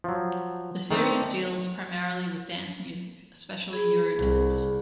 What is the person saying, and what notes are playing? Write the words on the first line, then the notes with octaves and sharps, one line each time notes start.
The series deals primarily with dance music, especially Eurodance.
F3 F#3
D#3 A3 C4 D4
G#4 B5
C2